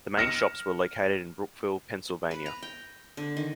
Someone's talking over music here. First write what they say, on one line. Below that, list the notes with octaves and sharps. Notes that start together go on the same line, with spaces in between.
The main shops were located in Brookville, Pennsylvania.
F6 A#6 C#7 E7
B4
A#5
G5
D3
D#3